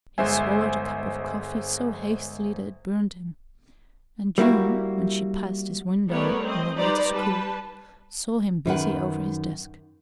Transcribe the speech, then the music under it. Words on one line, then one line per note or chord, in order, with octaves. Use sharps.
He swallowed a cup of coffee so hastily that it burned him, and June, when she passed his window on her way to school, saw him busy over his desk.
G1 G#3 C5 E5 G#5
G3 A#3 E4 F#4
G3 A3 B3 A#4 C#5 D5
C4 D#5
G3 D#4 B4 C5 D5 A#5
G3 B4 A5
F#2 D#3 B4 F#5